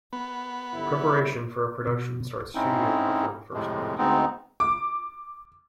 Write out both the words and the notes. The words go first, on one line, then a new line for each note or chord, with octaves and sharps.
Preparation for a production starts two years before the first night.
B3
G1 E4
B2
G#2 C4 C#4 D#4 E4
F2 A2 C3 G#3
D2 G#3 B3 C4 D#4
D6